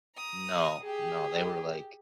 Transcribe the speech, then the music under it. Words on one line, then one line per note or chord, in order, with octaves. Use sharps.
No, no. They were, like
A#5 D#6
G4 G#4